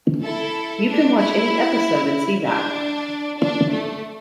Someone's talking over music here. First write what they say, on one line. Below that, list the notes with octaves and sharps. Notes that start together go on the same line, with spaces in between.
You can watch any episode and see that.
E4 A4
D4
E4
D4
D4
A3